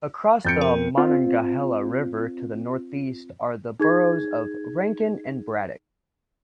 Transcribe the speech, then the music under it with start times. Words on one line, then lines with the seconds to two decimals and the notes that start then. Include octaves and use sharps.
Across the Monongahela River to the northeast are the boroughs of Rankin and Braddock.
0.45 F2 G6 A6 C#7 D7
0.61 A#4
0.98 C4 F4
3.80 D#4 G#4 G#6